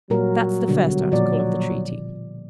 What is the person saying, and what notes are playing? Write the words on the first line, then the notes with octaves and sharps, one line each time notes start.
That's the first article of the treaty.
A#2 F#3 G3 A#4
B2 D3 G3
A#2 F3 D5